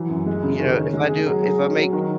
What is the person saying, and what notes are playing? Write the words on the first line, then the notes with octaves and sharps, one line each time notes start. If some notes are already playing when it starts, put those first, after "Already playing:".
you know, if I do if I make
Already playing: E3 F#3
F#2
G#3
C#3
D#3
C#4
G#3
G#4
F#3
G#4
C#4
F#3
D#3